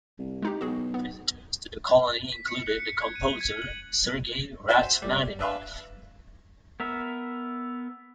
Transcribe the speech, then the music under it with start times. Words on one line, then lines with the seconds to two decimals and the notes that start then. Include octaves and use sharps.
Visitors to the colony included the composer Sergei Rachmaninoff.
0.18 C2
0.42 G#3 D#4 G4
0.61 B1 F#4 G#4
0.94 B3
2.32 B6
2.48 C#7
2.67 F#6
2.80 C#7
3.02 G#6
3.16 D#7
3.41 G#6
3.62 F#7
4.68 F#4 C5 E5 G#5
5.02 G3
5.39 D4 B4 E5 F5
6.80 B3 A#4 E5